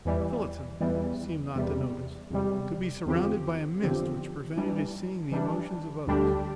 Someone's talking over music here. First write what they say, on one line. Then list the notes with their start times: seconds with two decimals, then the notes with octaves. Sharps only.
Phillotson seemed not to notice, to be surrounded by a mist which prevented his seeing the emotions of others.
0.05 E2 E3 G3
0.81 E2 E3 G3
1.55 E2 C3 G3
2.30 E2 C3 G3
3.06 E2 D3 F3 C4 G4
3.81 E2 D3 F3 C4 G4
4.56 E3 G3 D4
5.32 E3 G3 D4
6.07 D2 D3 G3 D4 G4